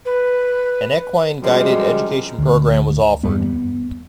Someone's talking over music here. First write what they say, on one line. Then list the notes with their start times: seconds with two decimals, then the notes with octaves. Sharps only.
An equine-guided education program was offered.
0.05 B4
1.42 F#2 F3 G3 G#3
2.38 D2
3.23 E2 G2 G3 B3
3.44 B3